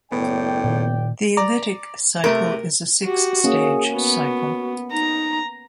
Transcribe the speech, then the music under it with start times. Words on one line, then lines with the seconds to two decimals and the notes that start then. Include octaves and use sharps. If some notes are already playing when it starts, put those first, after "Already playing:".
The lytic cycle is a six-stage cycle.
0.12 F#1 A2 B3 D5 G5
0.64 A#2 D#3
1.37 D5 A#5
2.24 C3 A3 A#4
3.05 F#4 G4
3.44 A#3 C#4 G#4
3.93 B3 F#4
4.92 D#4 A#5